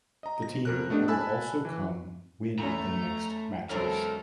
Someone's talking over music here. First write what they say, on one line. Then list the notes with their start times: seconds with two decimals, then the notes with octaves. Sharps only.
The team would also come win the next matches.
0.23 D#5 A#5
0.42 A#6
0.65 F2 A#4 F#6
0.90 A3 B3 D4 G4 D#5
1.08 G#5 A5 B5 E6 F#6
1.65 E3
2.59 E2 A3 C#4 A#5
3.70 E2 F#3 G#3 C4 A4 A#4 C#5